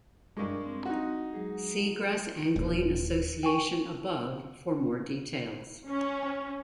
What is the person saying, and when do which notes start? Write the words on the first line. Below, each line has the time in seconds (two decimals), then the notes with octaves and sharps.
See Gress Angling Association above for more details.
0.37 G2 G#3 A#4 C#6 D6
0.65 C4
0.85 D#4 F#4
1.33 F#3 G#3 G#4
2.56 D#1
2.68 B4
3.43 G5 G#5 C#6
5.87 C#4